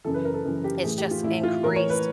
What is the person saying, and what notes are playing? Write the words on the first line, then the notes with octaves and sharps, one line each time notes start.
it's just increased.
F#2 C#3 E3 A4
B4
A#4
A4
F#2 C#3 E3
G4
A2 E3 G#4
G4
F4
A2 E3 E4
F4
A2 E3 A#4
C#5
B4